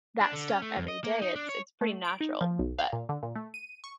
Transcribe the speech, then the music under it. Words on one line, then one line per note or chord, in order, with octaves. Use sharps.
that stuff every day, it's it's pretty natural, but
D4
D3
C#4
A3
F2
D#5
A#3
D#4
D4
C#5
A3
D7
D#4
F3
B1
F5
A#2
D3
A#2
A3
D#7
C#6